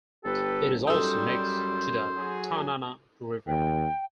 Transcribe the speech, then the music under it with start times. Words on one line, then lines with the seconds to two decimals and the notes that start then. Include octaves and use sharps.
It is also next to the Tanana River.
0.24 G1 G4 A4 B4
0.87 F#2 G3 D#4 A4 C5
2.15 F#3 F#4 G#4
3.47 D#2 G5